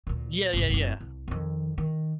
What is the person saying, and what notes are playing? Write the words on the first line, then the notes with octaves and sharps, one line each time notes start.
Yeah, yeah, yeah.
D2 A#2
G1 C2
F#1 C4
C2
F2 D#3
D#3